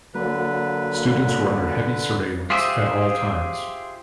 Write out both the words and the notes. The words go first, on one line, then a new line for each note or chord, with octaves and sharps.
Students were under heavy surveillance at all times.
D3 F#3 A#3 B4
F4 G4 G#4 C5 E5